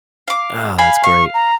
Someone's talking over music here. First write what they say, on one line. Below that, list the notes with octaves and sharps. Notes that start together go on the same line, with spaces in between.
Ah, that's great.
F5 D6
F5 G#5 B5
F5 C#6
A#5